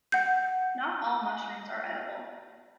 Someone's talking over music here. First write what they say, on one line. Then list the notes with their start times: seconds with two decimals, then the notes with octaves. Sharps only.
Not all mushrooms are edible.
0.12 F#5 G6